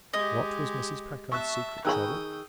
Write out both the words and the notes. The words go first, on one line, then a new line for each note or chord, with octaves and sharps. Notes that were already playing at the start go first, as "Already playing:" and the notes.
What was Mrs. Packard's secret trouble?
G#3 G4 D#5
E5 A5 C#6 E6 F#6
D#3 G#4 G5 B5 C#6 D#6 E6 F#6